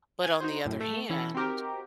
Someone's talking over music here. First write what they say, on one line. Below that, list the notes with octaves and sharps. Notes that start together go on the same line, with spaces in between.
But on the other hand,
G#5 G#6
D#4 F#4 C5
F#2 A2
A3
E3 C#4 E4 A4
C4 D#4 F#4 G4 A#4